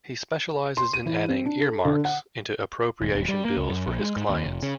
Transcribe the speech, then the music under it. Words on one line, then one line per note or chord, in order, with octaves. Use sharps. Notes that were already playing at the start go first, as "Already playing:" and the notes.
He specializes in adding "earmarks" into appropriation bills for his clients.
C6
D#7
E3
C4
D4
A4
D3
F#5
D#1
D#1
G3
A#3
C#2
F#2
A#1
G#3
G#2
D#2
F1
C#3